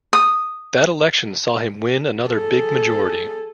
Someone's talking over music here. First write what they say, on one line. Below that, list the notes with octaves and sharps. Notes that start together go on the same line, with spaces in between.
That election saw him win another big majority.
D#6
G#4 A4